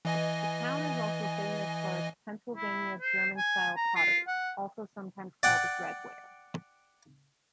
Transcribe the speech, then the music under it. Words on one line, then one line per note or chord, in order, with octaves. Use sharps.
The town is also famous for its Pennsylvania German-style pottery, also sometimes called redware.
E3 D#5 G#5
E4
C5
G#5
A#5
F4
F#5
D5 F#5 G5